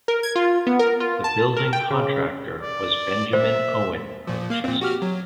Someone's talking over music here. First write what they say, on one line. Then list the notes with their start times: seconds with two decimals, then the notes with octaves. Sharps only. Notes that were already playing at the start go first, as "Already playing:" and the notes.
The building contractor was Benjamin Owen of Chester.
0.08 A#4
0.23 G#6
0.36 F4
0.67 B3
0.79 A#4
1.00 F4
1.24 A5
1.57 A#4
1.73 G5
1.90 C#3
2.61 D5
3.33 C5 E5
4.27 A#2 F3
4.50 A#3 F5
4.64 A#2 C4
4.81 F#4 G4 F6
5.02 F#3